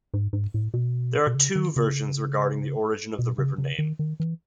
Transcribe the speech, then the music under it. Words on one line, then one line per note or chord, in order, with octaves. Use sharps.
There are two versions regarding the origin of the river name.
G#2
G#2
A2
B2
B2
C#3
D#3
C#3
B2
C#3
C#3
D#3
D#3
E3